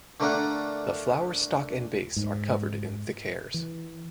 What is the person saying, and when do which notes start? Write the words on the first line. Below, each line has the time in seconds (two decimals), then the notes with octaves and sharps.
The flower stalk and base are covered in thick hairs.
0.20 D3 A3 A#3 D4 A#4 F#5
2.16 G#2
3.54 E3